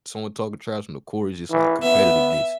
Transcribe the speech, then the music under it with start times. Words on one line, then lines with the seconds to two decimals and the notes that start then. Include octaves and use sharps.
someone talking trash on the court is just, like, competitiveness.
1.50 E3
1.82 B3 E5